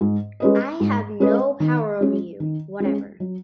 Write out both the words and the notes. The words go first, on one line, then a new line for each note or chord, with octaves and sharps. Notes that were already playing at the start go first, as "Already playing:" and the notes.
I have no power over you whatever.
G#2
G#3 C#4 B4 D#5
G#2
G#3 C#4 B4 D#5
D#3
G#3 C#4
D#3
G#3 C#4
F#3